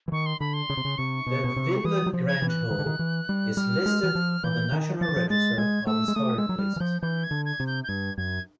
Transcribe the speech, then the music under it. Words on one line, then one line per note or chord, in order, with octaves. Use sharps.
The Vinland Grange Hall is listed on the National Register of Historic Places.
E3
D#3 C#6
C6
D3 B5
C6
C#3
C3
C#3
C3 C#6
B2
B2
C3
E3 D#6
F#3
F3
G#6
E3
F#6
D#3
D3
D#3
E3
G3
G3 F6
G#3
E3
F3
E3 G6
D#3
F3 A6
E3
F3
G#3 A6
G#3 G#6
A3 E6
G#3
A3 D#6
G#3 E6
F#3
G3 F6
E3
F3 G6
E3 G6
G#6
D3
G#6
C3
G6
G6
G2 G#6
F#2 G#6